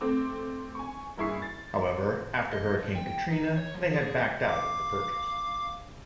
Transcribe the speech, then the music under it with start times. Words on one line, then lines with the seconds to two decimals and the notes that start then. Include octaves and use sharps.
However, after Hurricane Katrina, they had backed out of the purchase.
0.01 A3 C4 D6
0.75 G#5 C#6
1.17 F#1 G2 E4 G#4 C#6 C7
1.42 A6
2.53 D#5
2.79 F3
2.95 G5
3.31 D#4
3.57 C#5
3.75 F3
3.93 G#4
4.49 F5 D6